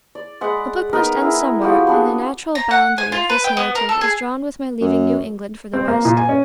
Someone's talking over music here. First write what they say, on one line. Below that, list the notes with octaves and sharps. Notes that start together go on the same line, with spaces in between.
A book must end somewhere, and the natural boundary of this narrative is drawn with my leaving New England for the West.
D5
G#3 F#5 B5 D6
B3 D#4 A#4 B4
E4 G#4
F3 B3 F#4 G4
B3 D4 G#4
A#5
F#5
G#5
F4
B4
G5
B3
A#4
A4
G#4
F#2
C4
A#3
A#2
G#5
C#4